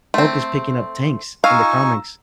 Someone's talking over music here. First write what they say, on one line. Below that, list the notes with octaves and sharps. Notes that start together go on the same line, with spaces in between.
Hulk is picking up tanks in the comics,
A3 C4 C6
D#4 F4 F5 G#5 A#5 C#6 E6